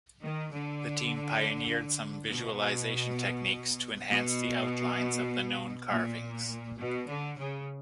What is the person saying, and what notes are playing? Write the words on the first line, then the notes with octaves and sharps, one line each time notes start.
The team pioneered some visualisation techniques to enhance the outlines of the known carvings.
D#3
D3
B2
B2
A#2
B2
D3
C#3